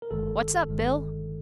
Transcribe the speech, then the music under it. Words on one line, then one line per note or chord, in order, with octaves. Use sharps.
"What's up, Bill?"
A#4
G1 G2 D#3 G#3 A4
G1 G2 D#3 G#3